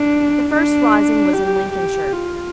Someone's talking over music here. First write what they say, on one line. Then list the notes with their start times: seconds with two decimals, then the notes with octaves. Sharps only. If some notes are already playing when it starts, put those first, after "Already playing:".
The first rising was in Lincolnshire.
Already playing: D4
0.55 D4
1.34 G4
1.73 G4
2.13 F4